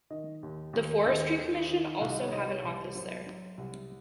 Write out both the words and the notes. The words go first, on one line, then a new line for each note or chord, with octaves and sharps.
The Forestry Commission also have an office there.
D#3 D#5
D#2
D#2
D#2 D#5
D#3
D#3
C2 F5
D#5
C#5
C2 D#5
C#5
C2
F#3 C5
F#3
C2